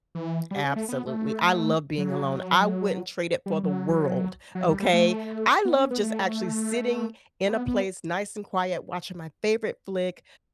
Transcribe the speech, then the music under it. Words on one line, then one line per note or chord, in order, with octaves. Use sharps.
Absolutely. I love being alone. I wouldn't trade it for the world, okay? I love just actually sitting in a place nice and quiet, watching my favorite flick,
E3
G3
C#4
A3
B3
A3
F#3
G3
F#3
F#3
G3
G3
A3
B3
C#4
B3
A3
A3
B3
B3